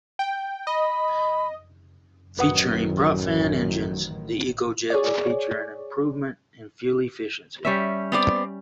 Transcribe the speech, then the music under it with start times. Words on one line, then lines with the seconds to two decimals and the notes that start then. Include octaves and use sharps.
Featuring propfan engines, the EcoJet would feature an improvement in fuel efficiency.
0.19 G5
0.67 D#5 B5
2.39 A1 F#2 D#3 F#3 B4 F#5 D#6
4.90 G#4 C#5 D5
7.65 G3 C#4 E5
8.12 B3 C4 D5